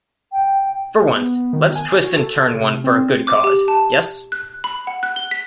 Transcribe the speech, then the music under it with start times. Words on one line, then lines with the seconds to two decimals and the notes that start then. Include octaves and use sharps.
For once let's twist and turn one for a good cause, yes?
0.33 G5
1.11 B3
1.53 D#3
1.76 G#5
2.04 F#4
2.17 A4
2.54 C3
2.84 C4
3.27 D6
3.44 G4
3.68 A5
4.32 F#6
4.64 B5
4.87 F#5
5.03 F#6
5.16 G7
5.31 B6